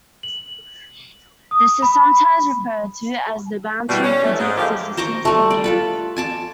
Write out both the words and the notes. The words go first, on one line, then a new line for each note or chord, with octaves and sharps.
This is sometimes referred to as the boundary critique to systems thinking.
F#7
D#6
B5
B2 E3 G3
C#4
E3 A3
G#2
D3 F3 A3 A#3 G4
C5 A#5 C#6 D6
G3 A3
D5
F4 A4 B4
G#5 A5 D6